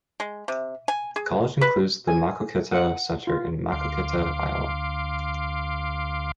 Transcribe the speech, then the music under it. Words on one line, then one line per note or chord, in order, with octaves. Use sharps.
The college includes the Maquoketa Center in Maquoketa, Iowa.
G#3
C3
G#5
G#4
B4
G#5
F#5
F4
D2 F5 C6 D6